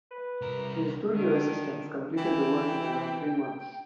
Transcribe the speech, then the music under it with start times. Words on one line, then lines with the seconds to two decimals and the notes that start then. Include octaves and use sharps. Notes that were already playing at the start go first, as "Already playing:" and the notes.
His studio assistants completed the work in around three months.
0.11 B4
0.41 C2 A#4
1.12 D3 D#3
2.17 E3 G5